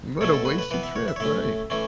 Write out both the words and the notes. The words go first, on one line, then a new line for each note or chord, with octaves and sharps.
What a wasted trip, right.
B2 F#3 A3 C#4 C#5
A4
B4
B4
E3 B3 B4
E5
C#5
E5
C#5
A2 A3 C#4 E5
E3 A3 C#4